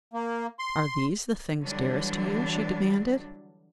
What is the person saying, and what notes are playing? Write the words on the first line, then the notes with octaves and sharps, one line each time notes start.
"Are these the things dearest to you?" she demanded.
A#3
C6
D3 E3 F#3 G3 D4